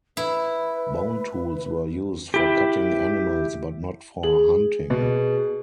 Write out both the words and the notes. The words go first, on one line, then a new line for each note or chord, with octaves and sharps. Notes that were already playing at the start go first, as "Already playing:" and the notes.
Bone tools were used for cutting animals but not for hunting.
E4 B4
E4 G4
G#4 F#7
B2